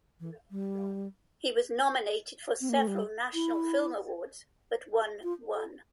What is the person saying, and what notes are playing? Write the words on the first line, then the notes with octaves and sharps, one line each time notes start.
He was nominated for several National Film Awards but won one.
E3
G3
C4
A#3
A3
G3
E4
F4
A4